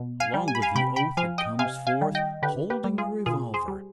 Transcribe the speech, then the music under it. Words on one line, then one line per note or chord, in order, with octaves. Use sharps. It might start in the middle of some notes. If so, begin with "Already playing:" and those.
Along with the oath it comes forth, holding a revolver.
Already playing: B2
F5 G#5
G3
G#5
B5
F5 G#5
C3 G5 B5
G5 B5
F3 F5 G#5
D#5 G5
C3 F5 G#5
F5 G#5
D#3 G3
D#5 G5
D3 G4 B4
G4 B4
G3
F4 G#4
B2 F4 G#4
G#4 C5
G3